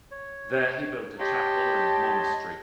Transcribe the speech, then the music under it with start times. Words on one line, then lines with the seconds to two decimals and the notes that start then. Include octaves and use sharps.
There he built a chapel and monastery.
0.11 C#5
1.20 G4 C#5 D#5 A5 C6